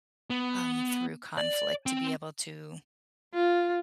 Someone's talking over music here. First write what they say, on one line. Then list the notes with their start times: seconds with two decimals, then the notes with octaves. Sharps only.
um, through conflict to be able to,
0.30 B3
1.37 D5
1.86 C4 G5
3.34 F4